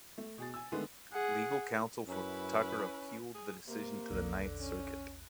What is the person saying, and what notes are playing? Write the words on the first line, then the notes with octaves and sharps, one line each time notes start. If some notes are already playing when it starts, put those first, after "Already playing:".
Legal counsel for Tucker appealed the decision to the Ninth Circuit.
A3
B2 G#4 A6
G#5 E6
D3 D#3 G#3 A3 B3
G#4 F#5
F#2 C#4 E4 B4
G#4
C3 A#3
A#1 E2 D3 F#6
C#4